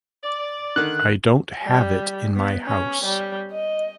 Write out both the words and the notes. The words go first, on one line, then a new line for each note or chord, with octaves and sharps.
I don't have it in my house.
D5
D3 D#3 F#6
G3
B3
C#4
G3
D#5